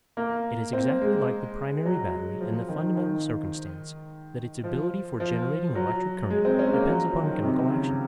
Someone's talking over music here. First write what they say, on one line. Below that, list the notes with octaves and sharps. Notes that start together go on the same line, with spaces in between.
It is exactly like the primary battery in the fundamental circumstance that its ability for generating electric current depends upon chemical action.
A#3
C4
G#3
F#3
F3
D#3
D#3
F3
F3
F#3
G#3
C4
C#4
G#3
A#3
F#3
F3
D#3
C3
C#3